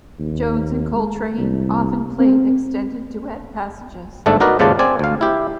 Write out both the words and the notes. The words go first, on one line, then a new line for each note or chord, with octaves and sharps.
Jones and Coltrane often played extended duet passages.
D#2
G#3
C2
C4
G1 G#2 A3 D4 A4 D5
D#4 F#4 A#4 B4 D5 D#5
D#2 G#2 C#3 F4 D5 A5
C4 D5 G#5
D2 F5
E4 G4